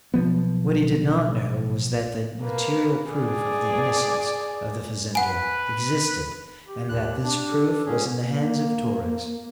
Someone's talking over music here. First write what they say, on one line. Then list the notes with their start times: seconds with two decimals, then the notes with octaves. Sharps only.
What he did not know was that the material proof of the innocence of the fazender existed, and that this proof was in the hands of Torres.
0.14 B1 F3 B3
2.42 A#3 B4
3.12 G#4 D5
5.15 B4 F#5 G#5
6.67 G4
6.89 D#2 F#6
7.24 D4
7.51 A4
7.86 G#2 C#4 G#4
8.28 A#3